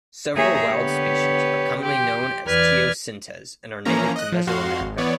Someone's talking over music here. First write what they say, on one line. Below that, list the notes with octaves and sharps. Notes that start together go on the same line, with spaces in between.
Several wild species are commonly known as teosintes and are native to Mesoamerica.
A#3 G4 G#4 C#5 E5 A#5
D3 B3 G4 B4 C#5
G4 G5 C6 D6
E2 B4 D5 F6 G#6
E3 F3 A#3 C#4 A#5
D#5 F#6
F3
F2 F#4 F5 C6
G#1
E3 B3 C#5 D5